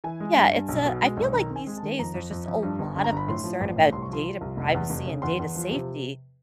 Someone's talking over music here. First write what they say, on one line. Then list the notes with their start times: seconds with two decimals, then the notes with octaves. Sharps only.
Yeah, it's a I feel like these days, there's just a lot of concern about data privacy and data safety
0.04 E3 G#5
0.20 G#3
0.36 G2
0.53 G2
0.68 B1
0.85 B2
1.02 G#3
1.17 B1
1.34 D#3 A#5
1.51 C4
1.56 G#5
1.67 G#3
1.78 A5
1.83 D#3
1.99 F2 A#5
2.15 F2
2.31 F2
2.47 F2
2.63 G2
2.79 G1
2.96 G1
3.04 A#5
3.12 G1 B5
3.28 A2 C6
3.44 F3
3.61 A1
3.77 A2
3.93 C2 C6
4.02 C#6
4.09 F3 C6
4.26 F3
4.41 C2
4.57 F1
4.74 E2
4.90 F1
5.06 C#3
5.22 E2 C6
5.39 E2
5.55 F3
5.71 C3